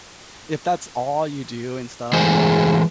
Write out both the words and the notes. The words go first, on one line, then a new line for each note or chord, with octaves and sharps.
if that's all you do and stuff, like,
E3 G#3 A3 G#4 C5